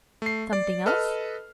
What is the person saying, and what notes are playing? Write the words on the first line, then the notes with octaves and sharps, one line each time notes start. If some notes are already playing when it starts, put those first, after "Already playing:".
"Something else?"
A3 C7
D5
A4 B4 D#5 F6